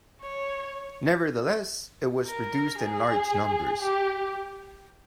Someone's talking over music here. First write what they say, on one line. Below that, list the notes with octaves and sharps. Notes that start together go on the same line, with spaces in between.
Nevertheless, it was produced in large numbers.
C#5
A#4
G#4
G4